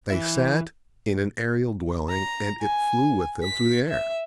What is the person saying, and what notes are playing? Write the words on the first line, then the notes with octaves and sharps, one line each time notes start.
They sat in an aerial dwelling, and it flew with them through the air.
E3 E4 E5
A#5
G#5
B6
E5